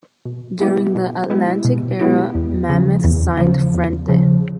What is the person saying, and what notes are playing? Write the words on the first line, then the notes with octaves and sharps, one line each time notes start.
During the Atlantic era, Mammoth signed Frente!
B2
G#3 B3 E4 G4
B2
G#3 B3 E4 G4
B2
G#3 B3 E4 G4
E2
C#3 F3
E2
C#3 F3
E2
C#3 F3